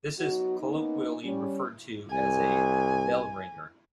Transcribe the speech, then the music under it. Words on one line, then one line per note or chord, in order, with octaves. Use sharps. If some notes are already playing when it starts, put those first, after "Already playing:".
This is colloquially referred to as a "bell ringer".
F#3 B3 D#4 F#4
A#3 B3 C#4 D#4
G3 C#4
C2 G#5